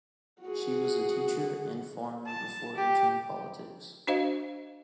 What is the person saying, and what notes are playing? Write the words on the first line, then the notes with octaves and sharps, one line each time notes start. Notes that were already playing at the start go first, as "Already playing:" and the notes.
She was a teacher and farmer before entering politics.
F#4 G#4
A5
G4
D4 F#4 C5 D#5 F5